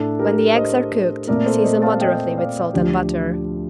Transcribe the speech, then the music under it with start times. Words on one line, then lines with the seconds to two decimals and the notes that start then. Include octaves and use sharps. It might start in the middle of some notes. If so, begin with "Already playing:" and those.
When the eggs are cooked season moderately with salt and butter.
Already playing: A2 A3 D4 A4
0.19 G4 A#4
0.55 C5 D#5
1.27 A#2 A3 C4 A#4 D5
1.46 A4 C5
1.64 C5 D#5
1.82 F5 A5
2.00 D#5 G5
2.37 D5 F5
2.74 D2 D3 F3 G4